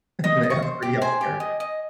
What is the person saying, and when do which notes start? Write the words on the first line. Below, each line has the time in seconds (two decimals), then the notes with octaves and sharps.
They have free health care.
0.24 D#5 D#6
0.43 D#5
0.50 C#6
0.62 C5
0.82 G4
1.02 C5 G#5
1.21 G4
1.40 D#5
1.60 D#5